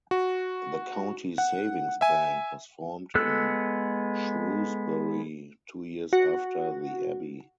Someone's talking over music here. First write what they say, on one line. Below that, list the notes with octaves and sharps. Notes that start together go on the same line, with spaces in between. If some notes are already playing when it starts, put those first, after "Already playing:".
The County Savings Bank was formed in Shrewsbury two years after the Abbey.
F#4
F#5
E5 G#5
G#3 B3 A4 E6 F#6
F#4